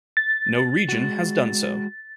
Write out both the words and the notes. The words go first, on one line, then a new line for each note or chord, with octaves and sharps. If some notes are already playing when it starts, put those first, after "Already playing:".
No region has done so.
A6
G#3 F#4